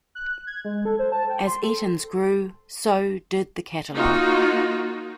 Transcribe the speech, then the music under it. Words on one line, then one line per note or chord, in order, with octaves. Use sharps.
As Eaton's grew, so did the catalogue.
F#6
G#6
G#3
A4
C5
A5
G5
C6
A4
A#3 D#4 F4 F#4